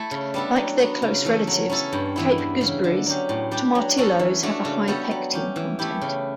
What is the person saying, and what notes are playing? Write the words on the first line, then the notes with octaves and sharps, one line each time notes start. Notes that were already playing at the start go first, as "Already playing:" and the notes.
Like their close relatives, cape gooseberries, tomatillos have a high pectin content.
Already playing: A3 E4 A4
C#3
G3 B3 D4 A4
F#3
B3 F#4
C#3
E3 A3
F#3
C#4 E4 A4
G2
E3 B3 E4
E2
C#3 E3
D3
F#3 C#4 G4
A2
G3 D4 G4
F#3
C#4 F#4 A4
E3
A3 D4 F#4
C#3
G3 B3 F#4 A4
F#3
C#4 G4
E3
A3 E4 G4
C#3